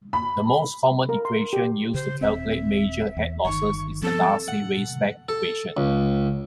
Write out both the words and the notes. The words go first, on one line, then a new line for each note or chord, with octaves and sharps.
The most common equation used to calculate major head losses is the Darcy-Weisbach equation.
B5
A#4
C6
G4
C#3 C5
D#1 C4 E5
E2
G1 D#3 C#6
F3 B3 C4 A4
F#5
A4
C#2